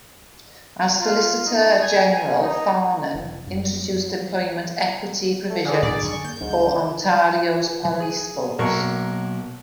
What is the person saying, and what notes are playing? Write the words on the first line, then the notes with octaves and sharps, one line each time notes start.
As Solicitor-General, Farnan introduced employment equity provisions for Ontario's police force.
F4
D#4
G#5
G#5
D#4
F1
F#2
F#3
A3
D3 G#4
G#2 D5
F#2 D3 C#4 C#6
A#3 G6
C#2 G#2 F#3 D4
F3
G#4 G#5
B1 B2 F#3 A#3 A#4 C#6